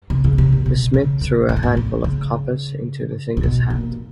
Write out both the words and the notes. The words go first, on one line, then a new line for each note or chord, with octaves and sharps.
The smith threw a handful of coppers into the singer's hat.
C3
C#3
C3
A#2
B2
C#3
C#3
A#2
G#2
A2
D3
C#3
C3
B2
A#2